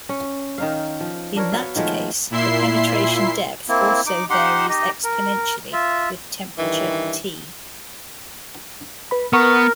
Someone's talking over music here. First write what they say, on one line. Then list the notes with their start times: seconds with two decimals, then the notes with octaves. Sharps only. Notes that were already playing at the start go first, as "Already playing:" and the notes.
In that case, the penetration depth also varies exponentially with temperature "T".
0.09 C#4
0.58 D#3 D#4 F5
1.01 F3
1.36 D4 A#4 C#5
1.52 B3 F#4 C#5 F5
1.76 D#3 F3 G#3 A3
2.30 A#2 E4 E5 C6 C7
3.69 A#3 C4 E4
4.06 D#4 D6
4.30 D#4 G4 F#5 C6
4.69 D#4 G4 D#5
5.04 A#4
5.73 F4 E5
6.59 G2 D#3 E3
9.11 B4 B5
9.33 B3 A#4 B4 F#5 C#6